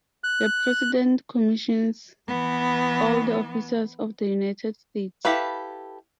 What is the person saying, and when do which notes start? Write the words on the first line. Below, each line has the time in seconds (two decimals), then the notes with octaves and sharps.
The President commissions all the Officers of the United States.
0.24 F#6
2.29 E3 B3
5.25 E4 G4 A4 B4 F5